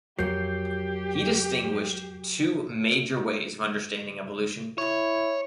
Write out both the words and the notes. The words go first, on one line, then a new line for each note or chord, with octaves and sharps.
He distinguished two major ways of understanding evolution.
F2 F#3 A#3 G4 G6 C7
E4 C#5